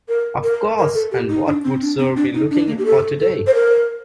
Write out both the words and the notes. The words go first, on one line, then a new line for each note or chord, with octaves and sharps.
Of course, and what would sir be looking for today?
A#4
A#4
A#4
A4
G4
D#4
D4
C4
D4
C4
D4
D#4
D4
A#3
G4
A4
A4
C5
A#4